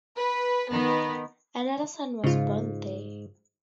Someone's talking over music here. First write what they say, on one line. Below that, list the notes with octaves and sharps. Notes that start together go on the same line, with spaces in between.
Another son was born there.
B4
D#3 B3
G#2 C#3 F4